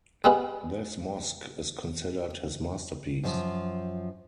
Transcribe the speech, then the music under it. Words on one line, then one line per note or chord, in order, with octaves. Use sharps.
This mosque is considered his masterpiece.
G3 G#3 B3
F#2 F3